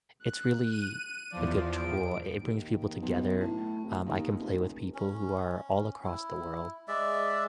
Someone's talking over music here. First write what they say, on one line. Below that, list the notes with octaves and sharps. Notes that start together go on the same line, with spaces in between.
It's really a good tool, i it brings people together, um, I can play with people who are all across the world.
F#6
D#7
E2 F3 D5
D7
D#2
B1
A2
F1
D#2
F1
C#4
E4
G#3 D5 E5